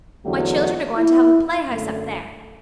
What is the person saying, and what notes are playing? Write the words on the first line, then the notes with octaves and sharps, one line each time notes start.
My children are going to have a play-house up there.
E2 D3 F#3 A3 G4
F#4
E4
F#2 D3 A3